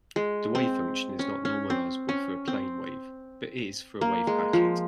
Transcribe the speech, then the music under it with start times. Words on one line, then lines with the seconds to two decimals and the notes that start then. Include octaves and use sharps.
The wavefunction is not normalizable for a plane wave, but is for a wavepacket.
0.16 G#3
0.55 C4
1.19 C#4
1.45 C#4
1.70 C4
2.09 C#4
2.48 C4
4.01 A#3
4.27 G#3
4.53 F3